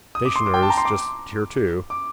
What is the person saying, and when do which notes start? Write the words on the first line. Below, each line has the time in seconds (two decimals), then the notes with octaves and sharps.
Stationer's just here too.
0.15 D#6
0.25 D6
0.36 C6
0.46 D6
0.54 G5
0.62 A5
0.70 A#5
0.78 C6
0.85 D6
1.90 D6